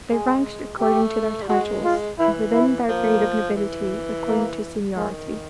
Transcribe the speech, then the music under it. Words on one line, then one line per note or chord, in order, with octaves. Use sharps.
They ranked according to their titles, and within their grade of nobility according to seniority.
G#3 G#4
A3 G4
G3
G#3 F#4
F4
E3 E4
E4
F3 A#3
E3
A#3
D#3 G#3